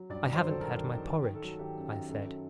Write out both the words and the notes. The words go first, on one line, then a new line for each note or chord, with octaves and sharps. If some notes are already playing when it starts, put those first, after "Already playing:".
"I haven't had my porridge," I said.
Already playing: F#3
G2 D5
D#3
C5
F#3 A4
F#3 A#4
D#3
D#3
D#3
D#3
A4
F#3
D#3 G4
F#2
D#3
F#2 A4
F#3